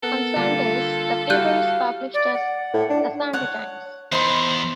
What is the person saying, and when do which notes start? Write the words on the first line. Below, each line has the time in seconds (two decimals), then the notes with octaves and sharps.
On Sundays the paper is published as The Sunday Times.
0.03 B3 A4 A#4
0.36 D3 G3 A#3 F4
1.30 G3 E4 F#4 G4 F5 F#6 G6
2.13 D5
2.33 F#5
2.74 A2
2.90 D4
3.33 C#5 F#5 A5
4.12 E2 D#4 C5 B5 C6